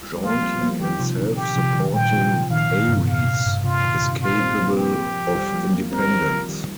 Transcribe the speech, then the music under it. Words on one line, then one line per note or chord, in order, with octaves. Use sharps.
Jaunty and self-supporting, Aries is capable of independence.
G3
F3 A#3 F4
G3 C4
F3 A#3
D#3 G3 G4
C3 F3
A#2 D#3
G4
C3 F3
D#3 G3
A#2 D#3 G5
C3 F3
C3 F3
A#2 D#3 F5
A#2 D#3
G2 C3
C3
A#2 F5
C3
A#2
G2
G2 C3 F4
C3
A#2 D#3
G2 C3
A#2 F4
A#3
G3 C4
F3 A#3
C4
F3 A#3 G4
G3 C4
F3 A#3
F3 A#3
G3 C4 A#4
G3 C4
F3 A#3
D#3 G3